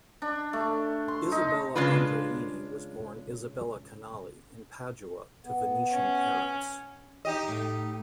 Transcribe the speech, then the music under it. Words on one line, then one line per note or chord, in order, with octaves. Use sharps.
Isabella Andreini was born Isabella Canali in Padua, to Venetian parents.
D4
A3
C6
D#4
C#3 G#3 D4 F4 B4
B3
C#4
D#4 G4 D#5
A2 A3